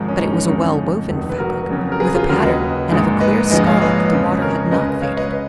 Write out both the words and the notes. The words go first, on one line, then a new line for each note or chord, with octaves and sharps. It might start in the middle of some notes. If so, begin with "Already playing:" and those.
But it was a well-woven fabric, with a pattern, and of a clear scarlet that the water had not faded.
Already playing: G#1 G#2 F3 G#3
C#4
D#4
C#4
F2 C#3 G#3 D#4
F1 F2 D#3
B4
F#4 A#4
F2 C#3 F#3
A#4
G#4 B4
F4 G#4
D#2 C#3 F#3 F#4 A#4
B4 D#5
A#1 G#2 D#3 G#3
B4 D#5
A#1 G#2 F3 G#3 B4 D#5
C#5 F5
B4 D#5
F2 C#3 G#3
A#4 C#5
C#2 C#3 G#3 B4 D#5
C#5 F5
B4 D#5
B4 D#5